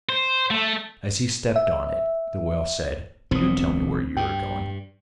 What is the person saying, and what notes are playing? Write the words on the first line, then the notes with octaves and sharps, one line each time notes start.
As he stepped on it the whale said, 'Do tell me where you are going.'
C5
A3
E5
E1 B1 A#2 C4 D#6
G2 G5